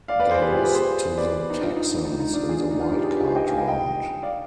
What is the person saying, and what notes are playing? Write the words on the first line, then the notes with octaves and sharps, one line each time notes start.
They lost to the Texans in the wild card round.
D5 F5
B4 D5
G#4 C5
G4 B4
F4 G#4
G4 B4
G#4 C5
B4 D5
D#4
D4 F4
D#4
D#4
D#4
D#4
D4 F4
F4 G#4
D4
D#4
D4 F4
D#4 G4
F4 G#4
G4 B4
G#4 C5
D#5 G5
F5 G#5
D#5 G5
D#5 G5
D5 F5